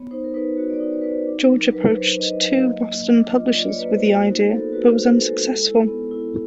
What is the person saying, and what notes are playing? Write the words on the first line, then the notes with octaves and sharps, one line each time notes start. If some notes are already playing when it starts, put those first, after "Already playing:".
George approached two Boston publishers with the idea, but was unsuccessful.
Already playing: B3 C#5
D#4 C5
A#4
D#4 B4
F#4 C#5
D5
C#5
D#4
C#5
D#4 B4
C5
D4
F#3 A#4
A#4
F#3 B4
F#3 C5
F#3 D#5
F#3 F5
A#3 D#5
A#3
D4
F4 D#5
D5
F4
C#5
A#3 B4
C5
F#4 C5
D#4 A#4
B3 A4
F#4 B4
F#4 C5
A#4
G#3 A4
G#3 A4
E4
B3
E4